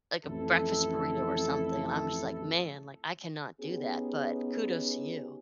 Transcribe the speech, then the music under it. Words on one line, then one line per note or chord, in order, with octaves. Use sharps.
like a breakfast burrito or something, and I'm just, like, "Man," like, "I cannot do that, but kudos to you."
A1 F2 E4 A4
B3 C#4 D#4 G4 G#4